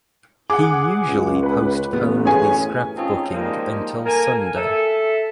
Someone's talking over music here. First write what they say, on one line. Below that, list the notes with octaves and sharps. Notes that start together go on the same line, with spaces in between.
He usually postponed the scrapbooking until Sunday.
G#4 F#5 D6
C#2
B4 B5
A1 B3
C#4 G#4 G#5
C4 C#4 D#4 F4 G#4 A4
F3 G3 G#3 A#3 D#4
A#3 A4 A#4 G#5
A4 E5